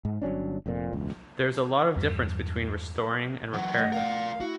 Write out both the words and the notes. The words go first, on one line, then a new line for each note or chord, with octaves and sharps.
There is a lot of difference between restoring and repairing.
G#2
G1 F#3 C#4 D4
F1 F2 A#2
E1 C#2
E2 G2 G3
E3 F#3 F#5
A3 D#5
A#4 D5 F5
E4 F#4